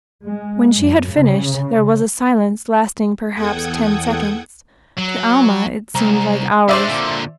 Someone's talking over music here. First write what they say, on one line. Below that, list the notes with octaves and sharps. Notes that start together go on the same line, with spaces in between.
When she had finished there was a silence lasting perhaps ten seconds. To Alma it seemed like hours.
G#3
F#2
C#3
E2 A4 F#5 G5 D#6 G#6
F#3
C2 A#5
G#3 D4 C5 D5 E5
A#2 D3